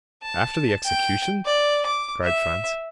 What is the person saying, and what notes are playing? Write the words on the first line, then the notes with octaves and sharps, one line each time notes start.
"After the execution?" cried Franz.
A5
G5
D5
D6
E5